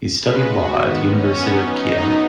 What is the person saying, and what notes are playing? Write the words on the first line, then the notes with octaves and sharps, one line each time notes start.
He studied law at the University of Kiel.
C#3 G#3 B3 B4
F#4
G#2 D#3 B3
C#4
F#2 F#3 B3
D#4
F#2 C#3 F#3 B3